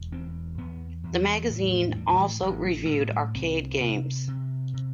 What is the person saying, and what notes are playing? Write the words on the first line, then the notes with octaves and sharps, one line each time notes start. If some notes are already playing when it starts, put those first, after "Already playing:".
The magazine also reviewed arcade games.
Already playing: E1
E2 C4
E2 B3
E2
A2 A3
A3
A2 G3
D3
E3
A1 G3
A3
A2 G3
G3
C2 C4
C3
C3
C3